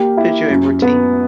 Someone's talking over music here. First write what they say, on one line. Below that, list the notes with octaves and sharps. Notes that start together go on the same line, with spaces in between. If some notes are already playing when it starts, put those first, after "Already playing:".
Put you in routine.
Already playing: A#3 G4
E4
F#2
B3